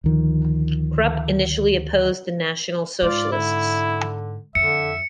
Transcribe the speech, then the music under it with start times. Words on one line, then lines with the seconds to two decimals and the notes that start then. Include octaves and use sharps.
Krupp initially opposed the National Socialists.
0.04 D2 D#3 F3
3.02 G#2 F4 D5
3.32 D3 E4
4.55 F2 D3 E5 C#7